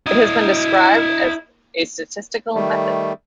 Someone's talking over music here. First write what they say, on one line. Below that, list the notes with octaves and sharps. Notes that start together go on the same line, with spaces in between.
It has been described as a "statistical method".
E4 D#5
D#3 G3 A3